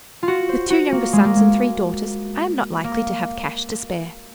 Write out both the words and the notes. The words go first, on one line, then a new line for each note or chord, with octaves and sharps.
With two younger sons and three daughters, I am not likely to have cash to spare.
F4
F#4
C5
F#4
A#3
G#3
A#3
G#3
A#3